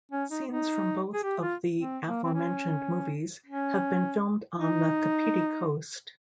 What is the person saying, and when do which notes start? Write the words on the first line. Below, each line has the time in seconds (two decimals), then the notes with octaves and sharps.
Scenes from both of the aforementioned movies have been filmed on the Kapiti Coast.
0.12 C#4
0.30 D#4
0.49 D#4
1.14 G#4
1.23 G4
1.42 F4
1.79 C4
2.06 A#3
2.23 C4
2.35 C#4
3.46 C#4
4.57 D#4